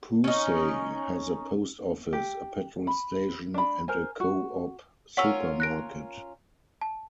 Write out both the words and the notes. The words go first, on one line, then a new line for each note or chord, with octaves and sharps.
Pewsey has a Post Office, a petrol station, and a Co-op supermarket.
C#4 D#4
G4
B5
D4 B5
A#4 C5 G#5
F#4
C#4 F4 A#4 F#5 C#6 E6
F#6 A#6 D7
A5